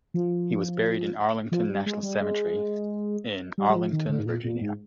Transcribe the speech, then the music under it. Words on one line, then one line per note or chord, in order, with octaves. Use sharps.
He was buried in Arlington National Cemetery in Arlington, Virginia.
F3
F3
G3
G#3
G3
G#3
G3
G3
F3
D#3
D3
G#2
A#2
A#2
G#2